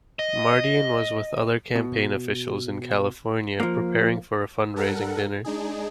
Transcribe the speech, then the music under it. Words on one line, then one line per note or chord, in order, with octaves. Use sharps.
Mardian was with other campaign officials in California preparing for a fundraising dinner.
D#5
B2
F3 A#3
G3 A4 A#4 F#5
G#3 D4 D#4 G#4